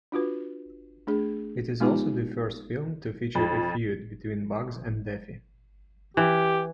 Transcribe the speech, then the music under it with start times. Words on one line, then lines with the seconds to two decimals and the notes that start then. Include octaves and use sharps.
It is also the first film to feature a feud between Bugs and Daffy.
0.12 D4 F4 F#4 B4
1.07 A3 D4 G#4
1.80 G#3 B3 D#4 F4 G4
3.35 F2
6.17 E3 G4